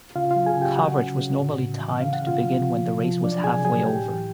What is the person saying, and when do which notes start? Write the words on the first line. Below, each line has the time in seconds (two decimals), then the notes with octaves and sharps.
Coverage was normally timed to begin when the race was halfway over.
0.15 C#3 F4 F5
0.31 F4 F5
0.36 F#3
0.46 G#4 G#5
0.57 C#3 G4 G5
0.77 F#3 F#4 F#5
0.98 C#3
1.18 C#3
1.39 A2
1.60 A2
1.80 E3
2.00 C#3 F5
2.13 F#5
2.21 C#3
2.27 F4 F5
2.42 F#3
2.62 F3
2.83 C3
3.03 F3
3.24 F#3 D4 D5
3.44 C3 G#4 G#5
3.65 F#3 G#4 G#5
3.85 A2 G4 G5
4.06 E3